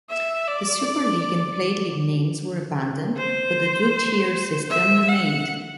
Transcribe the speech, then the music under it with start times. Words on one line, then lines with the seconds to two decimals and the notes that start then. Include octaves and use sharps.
The Super League and Plate League names were abandoned, but the two-tier system remained.
0.10 E5
0.48 D5
3.17 C5
4.70 E5
5.09 F#5